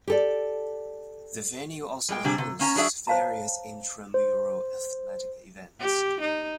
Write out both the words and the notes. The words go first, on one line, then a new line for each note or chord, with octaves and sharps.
The venue also hosts various intramural athletic events.
G4 A4 D5
G3 G#3 G5
C3 G3 D4 G#4
C3
A#3 C#4 A#5
F#3 D4 G#4 E5
C5 C#5 F5 A5 A#5
C5
G4
D#4